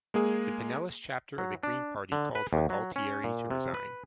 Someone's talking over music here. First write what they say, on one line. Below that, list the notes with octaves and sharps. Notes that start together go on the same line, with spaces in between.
The Pinellas chapter of the Green Party called for Gualtieri to resign.
G#3 A#3 G#4
F#3
D4
D3
B4
D#2
F#3
C#4
A#2
C3
B4